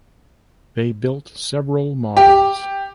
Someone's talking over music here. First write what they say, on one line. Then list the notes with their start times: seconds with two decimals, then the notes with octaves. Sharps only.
They built several models.
2.17 G4